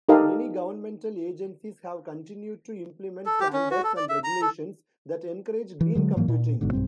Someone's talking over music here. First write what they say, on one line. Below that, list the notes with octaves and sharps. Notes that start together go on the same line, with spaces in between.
Many governmental agencies have continued to implement standards and regulations that encourage green computing.
D#4 G4 A4 A#4 D#5 F5
A4
G4
C#4
F#4
A4
D5
E5
A#5
A4
E3
D3 F#3 G#3
G#2 E3 F#3 A#3
A#2
G1 G#2 B2 D3
B1 G2 C4